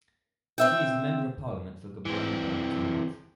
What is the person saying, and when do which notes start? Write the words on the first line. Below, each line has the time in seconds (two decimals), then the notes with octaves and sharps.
She is the Member of Parliament for Gaborone Bonnington North.
0.58 C4 E5 G5
2.05 E3 C4